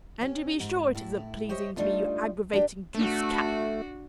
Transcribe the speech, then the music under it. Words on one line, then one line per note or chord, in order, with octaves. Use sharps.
"And to be sure it isn't pleasing to me, you aggravating goose-cap!"
C#4 G4
G#2
A2 E4
G4 C5 C#5 D#5 E5
G3 A3 D4 D#4 F4
D4 G4
A3 D4 F#4